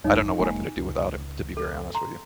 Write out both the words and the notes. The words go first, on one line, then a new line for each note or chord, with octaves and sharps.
I don't know what I'm gonna do without him, to be very honest with you.
G#1 E2 G2 D#4 C#5
F1 G#3 A#3 G#5
C#2
A4
A#5 C6